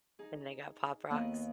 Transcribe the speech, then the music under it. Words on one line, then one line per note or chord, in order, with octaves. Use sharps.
And they got Pop Rocks.
D#4 G#4
D#2 A#3 B3 D#5 B5